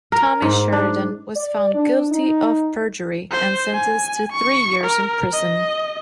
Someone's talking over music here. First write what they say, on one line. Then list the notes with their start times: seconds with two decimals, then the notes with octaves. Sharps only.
Tommy Sheridan was found guilty of perjury and sentenced to three years in prison.
0.12 A#4
0.42 G#2
0.72 D4
1.36 D5
1.74 D4
2.11 D#4
3.31 C5
3.74 G#5
4.32 C#6
4.84 A#4
5.33 D#5